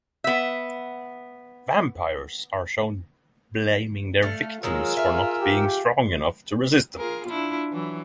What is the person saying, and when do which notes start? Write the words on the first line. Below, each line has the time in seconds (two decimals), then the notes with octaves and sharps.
Vampires are shown blaming their victims for not being strong enough to resist them.
0.24 B3 E5
4.23 A3 A4 F5
4.63 D#3 F#3 G#3 F4 G#4 A#4 E6
4.97 E5 F5
5.41 G4
6.98 F4 G#4 A#4
7.27 D4 E4 F4
7.72 E3 F#3